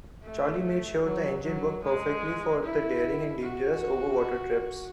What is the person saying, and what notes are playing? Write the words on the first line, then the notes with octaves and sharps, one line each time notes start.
Charlie made sure the engine worked perfectly for the daring and dangerous over-water trips.
A3
F#3
F#3
G#3
E4
F#4